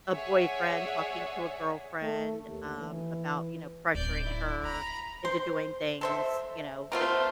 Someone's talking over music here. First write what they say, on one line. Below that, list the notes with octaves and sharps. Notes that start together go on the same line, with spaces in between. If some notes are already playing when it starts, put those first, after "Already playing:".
a boyfriend talking to a girlfriend, um, about, you know, pressuring her into doing things, you know, that
G#4 C#5 D5 E5 F#5
A3
D#2
E3
D1 D4 D5 G6
E4
D4 A#5 B5
C5
A4 C5 E5
A3 B3 F4 A#4 C5